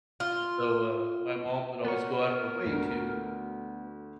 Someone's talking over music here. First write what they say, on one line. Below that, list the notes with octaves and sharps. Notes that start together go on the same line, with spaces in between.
And so, uh, my mom would always go out of her way to
F4
B3 A#4 C#5
D2 A3 F#4